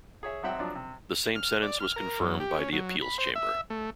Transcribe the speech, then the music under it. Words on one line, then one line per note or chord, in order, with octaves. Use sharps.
The same sentence was confirmed by the appeals chamber.
G#4 C#5 E5
G#1 F#3 C4 E5 F#5 G5
F3 F#3 D4
C3
F6
D5
F6
A#4
F#2
G4
C#4
F#3
B5
C5
E5
A3